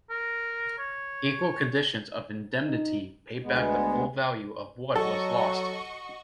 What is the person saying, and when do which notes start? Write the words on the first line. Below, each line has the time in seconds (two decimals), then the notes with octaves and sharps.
Equal conditions of indemnity pay back the full value of what was lost.
0.10 A#4
0.79 C#5
2.66 D#4
3.43 D2 G#3 B3
4.96 F#3 F#4 A4 D#5 C#6